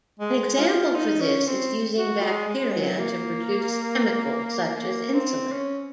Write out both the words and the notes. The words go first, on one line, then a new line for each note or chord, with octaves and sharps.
An example for this is using bacteria to produce chemicals, such as insulin.
G#3
F4
D#4
C#4
C4
F#4
G#3
G#3
F#3
A#3
A#3
C4
C#4